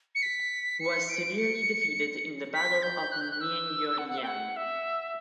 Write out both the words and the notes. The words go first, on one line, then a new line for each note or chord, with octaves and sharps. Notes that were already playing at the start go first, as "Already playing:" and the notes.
He was severely defeated in the Battle of Myeongryang.
C#7
B6
C#7
D7
C#7
B6
G6
F#6
G6
F#6
E6
F#5
F#5
E5
G5
F#5
E5